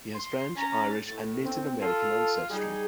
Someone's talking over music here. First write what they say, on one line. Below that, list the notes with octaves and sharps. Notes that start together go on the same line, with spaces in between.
He has French, Irish, and Native American ancestry.
C6
C#4 A#5 A6
A2
C4
F4 A4
G3 D#4 G#4